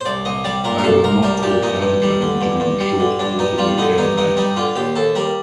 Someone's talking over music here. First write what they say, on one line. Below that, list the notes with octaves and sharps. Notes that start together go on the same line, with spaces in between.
They were not called out again during the short Waterloo campaign.
C5
C2 D5
C2 D#5
G3 D5
A#2 A#4
A#4
C2 A4
C2 A#4
G3 A#4
A#2 G4
G2 D#4
G2
G3
D3
G2
G2
G3
D3
G2 D4
G2 D#4
G3 F4
D3 D#4
G2 D#4
G2 D#4
G3 D#4
D3 F4
D#2 G4
D#2 A4
G3 A#4